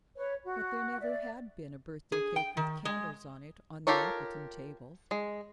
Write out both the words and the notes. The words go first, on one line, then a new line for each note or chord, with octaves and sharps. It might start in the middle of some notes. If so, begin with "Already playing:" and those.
But there never had been a birthday cake with candles on it on the Appleton table.
B4 C#5
F#4
D5 E5
G#4
G5
D#3
G#3
F4 G4 A4 A#4 C#5
G#3